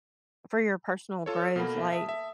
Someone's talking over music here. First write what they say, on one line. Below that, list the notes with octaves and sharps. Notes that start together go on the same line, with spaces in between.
for your personal growth, like
F4 A4 C#5
B2 A#3 A4 F#5 B5
E5
E5 A5 D#6
E5